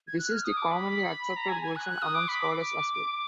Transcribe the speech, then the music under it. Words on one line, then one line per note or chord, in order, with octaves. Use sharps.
This is the commonly accepted version among scholars as well.
G#6
F#6
F6
D#6
D6
B5
A#5
G#5
G#5
F#6
F#6
D#6
D6
B5
D6